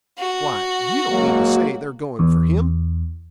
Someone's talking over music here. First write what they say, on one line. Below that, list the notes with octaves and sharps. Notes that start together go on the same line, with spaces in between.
Why, you don't mean to say they're going for him?'
F#4
F#3 G#3 A#3
E2